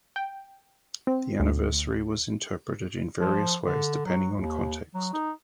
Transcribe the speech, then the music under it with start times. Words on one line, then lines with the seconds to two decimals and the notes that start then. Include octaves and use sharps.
The anniversary was interpreted in various ways depending on context.
0.16 G5
1.07 C4
1.40 D2
3.19 F3
3.65 D3
4.05 F#3
4.37 D#2
4.94 F#3
5.13 D#4